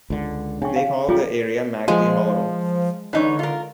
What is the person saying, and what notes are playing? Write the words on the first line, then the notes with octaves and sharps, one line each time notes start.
They called the area Maggotty Hollow.
C#2 D3
C#3 D4 G5 C#6
F5
G3 F4 G#4 A#5
F3 G#3 G#5
D3 E3 D#4 C#5
F4 A#4